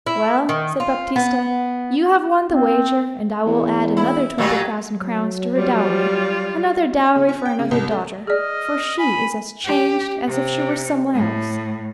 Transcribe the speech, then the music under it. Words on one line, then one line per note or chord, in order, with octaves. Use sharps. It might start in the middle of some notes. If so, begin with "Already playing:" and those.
"Well," said Baptista, "you have won the wager, and I will add another twenty thousand crowns to her dowry--another dowry for another daughter--for she is as changed as if she were someone else."
E4
D#3
F4
B3
C4
E2
E4
A#2 F#3 G3
F#3
G3 F4
C#3
C#4
G5
C#3
C2
A3
G#4 D5 D#5 F6
G#5 B5
G4
C3
A2